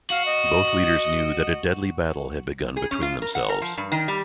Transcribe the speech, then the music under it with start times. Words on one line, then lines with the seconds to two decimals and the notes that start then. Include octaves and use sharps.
Both leaders knew that a deadly battle had begun between themselves.
0.10 F#4 F5
0.26 D#5
2.77 G#4
2.91 C#4
3.02 F4
3.22 A#4
3.35 F#5
3.49 A#4
3.62 F3
3.77 G2
3.92 D#3
4.08 G3